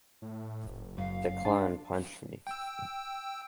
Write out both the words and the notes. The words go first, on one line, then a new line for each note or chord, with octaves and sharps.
Declan punched me.
A2
F#1
F#2 F5
D4 C5 A5
G5 E6